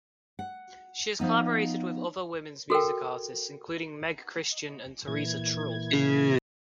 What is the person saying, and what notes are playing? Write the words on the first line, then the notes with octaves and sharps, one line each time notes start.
She has collaborated with other women's music artists, including Meg Christian and Teresa Trull.
F#5
F3 B3 D#4
F#4 A4 A#4 G5
A#2 E3 G#6